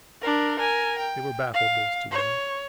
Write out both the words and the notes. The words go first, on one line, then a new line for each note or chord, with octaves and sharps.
They were baffled, those two women.
D4 A#4
A#4 G#5
G5
F5
C#5